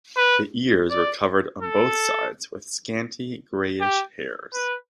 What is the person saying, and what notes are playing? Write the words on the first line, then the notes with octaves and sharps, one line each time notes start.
The ears were covered on both sides with scanty grayish hairs.
B4
D5
A4
G4
B4